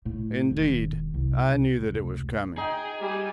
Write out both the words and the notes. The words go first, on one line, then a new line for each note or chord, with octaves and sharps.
"Indeed, I knew that it was coming."
A2 A3
E1 D#3
C2
F1 C#2
D#4 G#4 G5
G3 G4 G#5